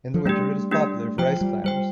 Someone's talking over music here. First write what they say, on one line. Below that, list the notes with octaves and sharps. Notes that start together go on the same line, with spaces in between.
In the winter it is popular for ice-climbers.
F3
G3 A3 D4 G4
A3 D4 G4
F3 F4 C5 G5
G3
G3 F4 C5 G5